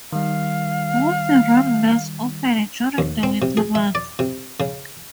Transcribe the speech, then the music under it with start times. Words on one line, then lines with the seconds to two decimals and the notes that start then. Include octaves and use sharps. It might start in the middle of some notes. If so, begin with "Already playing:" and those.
Both run less often during the winter months.
0.13 D#3 G3 F5
2.98 D#2
3.23 C4
3.42 C3
3.57 G#4
3.75 E5
3.95 D5
4.19 C3
4.60 C#3